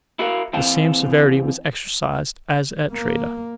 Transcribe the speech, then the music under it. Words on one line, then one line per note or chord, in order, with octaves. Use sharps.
The same severity was exercised as at Tredah.
E4 F#4 A#4 F5
E3 C4 F5 G5 A5
A#3